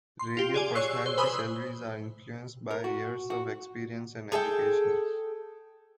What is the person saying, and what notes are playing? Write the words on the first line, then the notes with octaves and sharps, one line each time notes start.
Radio personality salaries are influenced by years of experience and education.
C6
F4 G4
G#4 D5 G#5
C#5 C#6 E6 F#6 C7
C5
B4 C5 G#5 B5 D#6 E6
A#4
F#4
F#4
G#4 A4 E5 G5